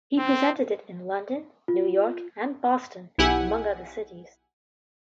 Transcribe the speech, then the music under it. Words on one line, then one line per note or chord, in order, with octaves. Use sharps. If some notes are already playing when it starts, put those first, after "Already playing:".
He presented it in London, New York, and Boston, among other cities.
C4
F4
B1 E4 G4 F#5 G#5